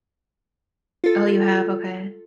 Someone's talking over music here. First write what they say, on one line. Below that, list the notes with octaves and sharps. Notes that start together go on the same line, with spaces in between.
Oh, you have? Okay.
F4 A4